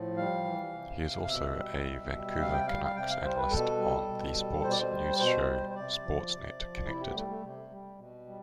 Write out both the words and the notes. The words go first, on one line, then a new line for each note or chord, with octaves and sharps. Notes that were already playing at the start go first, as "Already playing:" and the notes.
He is also a Vancouver Canucks analyst on the sports news show Sportsnet Connected.
Already playing: A2 F3
G3 F5
E3
C3
C3
F5
B2 E5
G3
B2
G3
C3 F5
G5
G3 F5
F5
C3 G5
F5
G3 C5
B4
B2 A4
G3
B2
G3
B2 C5
D5
C5
G3
B2 C5
G3
C5
C3 D5
F3
C3
F3
C3 E4
G4
B3
G3 A3
A3
C3
G3
B2
G3